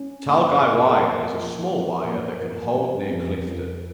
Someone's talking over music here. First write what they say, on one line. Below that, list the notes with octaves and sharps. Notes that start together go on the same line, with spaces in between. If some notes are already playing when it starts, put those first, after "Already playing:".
Talgai Weir is a small weir that can hold near Clifton.
Already playing: C#4
A#2 C#6
C#6
A#2
A#4
G#4
A#2 A#4
F3
F3
A#2
F3 A#4
C#4
F2
F3